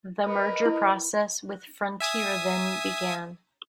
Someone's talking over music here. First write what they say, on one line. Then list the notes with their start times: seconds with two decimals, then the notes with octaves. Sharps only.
The merger process with Frontier then began.
0.23 A#4 B4 D#5
0.65 E4
2.00 E5 G#5 D#6